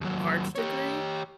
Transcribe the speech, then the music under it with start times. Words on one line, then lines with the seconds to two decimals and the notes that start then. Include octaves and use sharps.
large degree,
0.01 D#2 F#3
0.55 G4 C#5